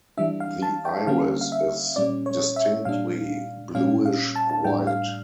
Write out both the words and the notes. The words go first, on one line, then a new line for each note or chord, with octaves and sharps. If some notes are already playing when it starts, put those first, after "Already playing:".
The iris is distinctly bluish white.
E3 G3 D4 E5
F5
A5
G5
D3 G3 A#3 C#4 F5
F5
E5
A#2 G3 C#4 D5
C#5
E5
A#2 G3 D4 F5
A#2 G3 C#4 F5
F5
A5
A5
A2 G3 D4 G5
F5